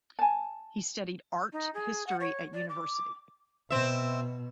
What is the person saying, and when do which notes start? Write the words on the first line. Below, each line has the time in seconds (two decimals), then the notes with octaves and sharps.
He studied art history at university.
0.19 G#5 A5
1.53 D#4
1.74 G#4
2.07 F#5
2.20 C#5
2.54 D5
2.69 D6
3.70 B2 C4 E5